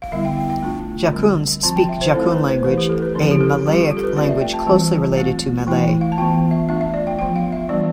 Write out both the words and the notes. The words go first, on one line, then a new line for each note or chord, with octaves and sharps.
Jakuns speak Jakun language, a Malayic language closely related to Malay.
F5
D3 G3 B3 E4 E5
G5
G5
G5
A3 D4 F4
D3 G3 C4
F3 C4 F4 A5
G5
E5
C5
A3 C4 E4 A4
B4
C5
E3 A3 E4 B4
G4
A4
B4
D3 F3 C4 E4 A4
G4
A4
G3 C4 F4 G4
F4
G4
A4
B4
A3 C4 F4 D5
E5
G5
A5
E3 G3 C4 F4
A3 C4 F4
E3 A3 E4 G5
F5
A5
E3 B3 F4 G5
E5
A3 D4 F4 E5
E5
D5
G5
F3 B3 F4 G5
F5
E5
E3 G3 B3 D4 F4 D5